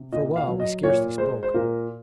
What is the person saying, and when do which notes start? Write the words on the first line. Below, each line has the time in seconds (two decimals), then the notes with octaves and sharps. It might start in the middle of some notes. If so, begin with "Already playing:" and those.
For a while we scarcely spoke.
Already playing: C3
0.12 A#2 D#5
0.36 F5
0.48 F#3
0.60 D#5
0.83 A#2 C#5
1.18 G#3 C5
1.43 C5
1.54 A#2 A#4